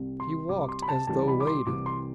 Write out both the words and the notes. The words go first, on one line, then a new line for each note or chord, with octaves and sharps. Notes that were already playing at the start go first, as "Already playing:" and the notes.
He walked as though wading.
Already playing: C2 C3 G3
C6
C2 C3 G3 D6
C6
B5
A5
C2 C3 E3 G3 A5
B5
D6
C6
C2 C3 E3 G3 D6
C6